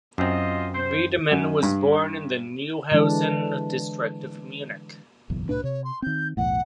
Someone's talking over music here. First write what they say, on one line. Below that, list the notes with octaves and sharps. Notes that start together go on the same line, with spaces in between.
Wiedemann was born in the Neuhausen district of Munich.
F#2 C4 F4 C5 D#5
C5
F#2
G2
D3 E3 G#3 D4
F#1 B1 E2
C2 A2 D4 B4
C3 C#5
C6
D#3 C4 G6
B1 E2 A2 F#5